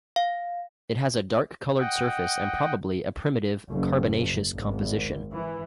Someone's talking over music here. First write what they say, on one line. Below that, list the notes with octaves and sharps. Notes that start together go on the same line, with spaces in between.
It has a dark-colored surface and probably a primitive carbonaceous composition.
F5
D#5 F#5 G5
F#1
G#1
E3